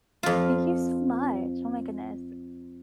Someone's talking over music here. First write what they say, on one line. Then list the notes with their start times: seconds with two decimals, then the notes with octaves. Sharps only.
Thank you so much. Oh my goodness.
0.23 F2 F4